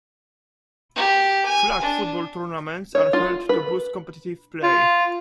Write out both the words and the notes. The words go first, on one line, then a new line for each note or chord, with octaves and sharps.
Flag football tournaments are held to boost competitive play.
G4
G#5
D4
C#5
F4
B4
F4